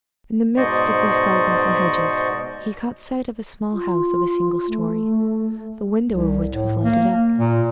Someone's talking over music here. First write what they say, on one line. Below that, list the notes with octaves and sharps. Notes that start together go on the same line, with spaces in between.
In the midst of these gardens and hedges he caught sight of a small house of a single story, the window of which was lighted up.
G#2 B2 C5 D5 D#5 C#6
F4
A3
C2
A2
A#3
A#2